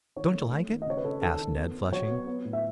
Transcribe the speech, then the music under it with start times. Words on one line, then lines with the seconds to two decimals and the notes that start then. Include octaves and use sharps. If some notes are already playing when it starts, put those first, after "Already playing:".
"Don't you like it?" asked Ned, flushing.
0.16 D#3 C#5
0.34 A3
0.51 A3
0.69 D#3
0.82 D#5
0.86 C#3 C#5
0.97 B4
1.05 C#3 A4
1.22 D#3 A4
1.39 D#3
1.56 B3
1.74 B3
1.92 F#3 C#5
2.10 B3
2.27 B3
2.45 A2
2.53 E5